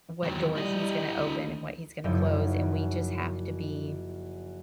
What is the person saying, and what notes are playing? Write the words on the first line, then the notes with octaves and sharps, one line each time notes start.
what doors he's gonna open and what he's gonna close, and we just have to be
E2 D#3 F#3
G3 E4 D#5
D2
F#1 F#2 F3 D#4 E4 G6